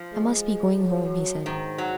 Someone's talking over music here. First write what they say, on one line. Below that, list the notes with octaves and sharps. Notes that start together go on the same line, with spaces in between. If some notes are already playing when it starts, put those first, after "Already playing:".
"I must be going home," he said.
Already playing: F3
G#3
F#3
G#2 D#3
F#3